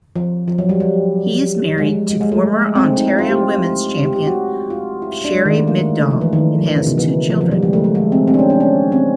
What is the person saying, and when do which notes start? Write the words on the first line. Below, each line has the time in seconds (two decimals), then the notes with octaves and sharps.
He is married to former Ontario women's champion Sherry Middaugh, and has two children.
0.16 F3
0.48 F3
0.58 F#3
0.69 G3
0.80 G3
1.78 G#3
2.10 G#3
2.21 G#3
2.32 A3
2.76 C4
2.97 D#4
3.07 E4
3.19 F4
3.30 G4
4.05 G4
4.16 G4
4.27 F#4
4.70 F4
5.02 E4
5.25 D4
5.35 G#3
5.45 D#3
5.57 A3
5.67 A#3
6.00 A3
6.11 F3
6.21 E3
6.33 D#3
6.66 E3
6.76 C#3
6.87 B2
6.98 E3
7.30 F3
7.41 F3
7.51 G3
7.62 G#3
7.73 A3
7.84 A3
7.95 G#3
8.12 C4
8.28 C4
8.34 D4
8.39 C#4
8.50 D4
8.60 C#4
8.92 C4